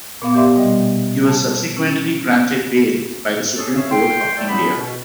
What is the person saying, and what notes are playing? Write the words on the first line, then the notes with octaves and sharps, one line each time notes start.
He was subsequently granted bail by the Supreme Court of India.
A#2 B3 F5 D6
G4 D5 E5 C6
B2 G3 D#5
A5
C#4 E4
C#4 G#4 A4
C#5 E5 F5
G5 C6
A2 F#3 A3 A4 D5 G5
E2 A2 B3 C#4 B4 B5
B2